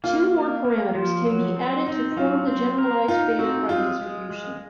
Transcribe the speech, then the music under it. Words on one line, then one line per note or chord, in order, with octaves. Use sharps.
Two more parameters can be added to form the generalized beta prime distribution.
A#3 F4
A#3
A#3
F3
F#3
C4
C4 D#4
D#4
F#3 F4
C4
A#4
D#4 F4
C4 F#4
G#3 F4
G#3
G#3